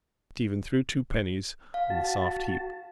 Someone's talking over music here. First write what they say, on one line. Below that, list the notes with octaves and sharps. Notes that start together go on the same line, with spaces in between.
Stephen threw two pennies on the soft heap.
F5
F#4 A5